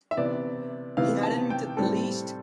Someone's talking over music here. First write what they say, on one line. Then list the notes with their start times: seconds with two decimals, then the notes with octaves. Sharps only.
He hadn't the least.
0.11 E5
0.17 C3 E3 B3 D5
0.97 C3 E3 B3 F5
1.23 A5
1.50 G5
1.77 A2 G3 C4 A4